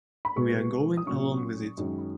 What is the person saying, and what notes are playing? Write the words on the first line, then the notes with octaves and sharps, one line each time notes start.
We are going along with it.
B5
B2 G#3 B3 C#6
D#6
A#2 F#3 C#4 C#6
F#2 D#3 G#3 C#4